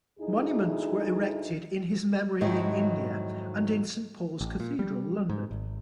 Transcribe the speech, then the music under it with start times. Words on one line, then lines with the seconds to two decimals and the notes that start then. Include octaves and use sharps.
Monuments were erected in his memory in India and in Saint Paul's Cathedral, London.
0.19 D2 D#4 E4 G#4
2.41 F2 G#2 D#3 F#3 E4
4.41 A1
4.60 A#2
4.79 G3
5.29 G#2
5.51 G#1